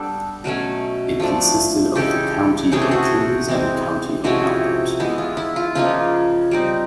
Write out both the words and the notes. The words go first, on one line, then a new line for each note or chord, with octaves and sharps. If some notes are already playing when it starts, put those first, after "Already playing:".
It consisted of the county of King's and the county of Albert.
Already playing: G3 B3 D4 A4
B2 F#3 A3 C#4
F3 A3 D4
C#3 E3 G#3 G4 A4
C3 E3 A3 C#4 G#4
A4
F#4 G#4
E3 G#3 C4
C3 F3 G#3 C#4 E4 F#4
E3 G#3 B3 E4
F4
E4
F4
C#3 F3 A#3 D#4 F4
G3 C4 D#4